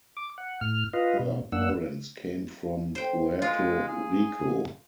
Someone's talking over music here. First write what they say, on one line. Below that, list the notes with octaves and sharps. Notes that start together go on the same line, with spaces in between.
Her parents came from Puerto Rico.
D6
F#5
A2 F6
F4 B4 D#5 F5
B2
F#2 A#3 D4 F#5 E6
C5 G5
G#3 F4
G#4